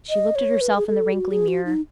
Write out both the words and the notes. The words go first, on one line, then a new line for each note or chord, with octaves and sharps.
She looked at herself in the wrinkly mirror.
D#5
C#5
B4
G#4
A4
F#4
G#4
F#4
D#4